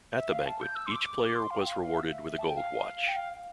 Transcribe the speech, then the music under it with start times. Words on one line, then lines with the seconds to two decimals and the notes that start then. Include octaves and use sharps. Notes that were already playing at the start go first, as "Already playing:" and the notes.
At the banquet, each player was rewarded with a gold watch.
0.16 E5
0.31 F5
0.46 A5
0.61 G6
0.75 E6
0.86 C6
0.91 D6
1.28 D6
1.36 C6
1.51 F5
1.61 G5
1.66 F5
1.81 F5
1.96 E5
2.39 A5
2.48 G5
2.56 F5
3.07 G5
3.16 F5